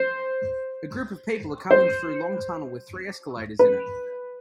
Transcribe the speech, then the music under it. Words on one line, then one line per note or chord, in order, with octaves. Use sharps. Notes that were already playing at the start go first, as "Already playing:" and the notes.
A group of people are coming through long tunnel with three escalators in it.
Already playing: C5
C5
B4